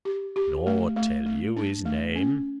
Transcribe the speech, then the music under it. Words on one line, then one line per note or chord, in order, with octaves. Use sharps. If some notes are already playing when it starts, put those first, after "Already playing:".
"Nor tell you his name?"
G4
G4
A3
A3
A3
D4
A3
C#4